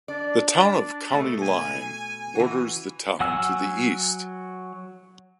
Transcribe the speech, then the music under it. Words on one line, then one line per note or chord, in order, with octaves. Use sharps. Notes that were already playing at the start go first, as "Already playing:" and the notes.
The town of County Line borders the town to the east.
D4 D5
B2 A3
G#5
E3 F#4
F#3 F#5 G#5 E6 F6